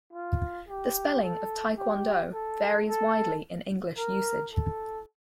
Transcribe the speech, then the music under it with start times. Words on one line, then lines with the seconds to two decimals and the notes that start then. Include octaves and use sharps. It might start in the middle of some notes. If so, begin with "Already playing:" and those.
The spelling of "taekwondo" varies widely in English usage.
0.13 F4
0.68 G4
1.23 A4
1.78 G4
2.33 A4
2.88 A4
3.98 A#4
4.53 A4